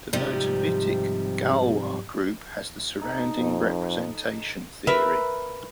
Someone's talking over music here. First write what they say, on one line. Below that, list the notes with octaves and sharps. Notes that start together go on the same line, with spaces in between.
The motivic Galois group has the surrounding representation theory.
G#2 C3 F3 G3
D#4 A4 D#5
F2
A#4 B4 E5